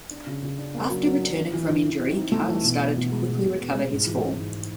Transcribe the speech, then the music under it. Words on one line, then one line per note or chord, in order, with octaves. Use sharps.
After returning from injury, Cana started to quickly recover his form.
D4
C#3
C#3
D4
A#3
F#3
F#3
D4
E3
E3
E3
E3
C4
D#4
A3
E3
B2
B2
B2
G#3
B2
B2
B2
G#3
G#2
E3
E3
G#2